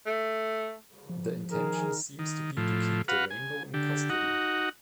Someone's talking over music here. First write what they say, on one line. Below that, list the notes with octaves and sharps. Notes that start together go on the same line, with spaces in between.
The intention seems to be to keep the rainbow in custody.
A3
F3
D#3 G#4 A#4
D#3
A2 F3
F#4 B4 F5 F#5
G#5
D3 G4
D#4 F#4 F#5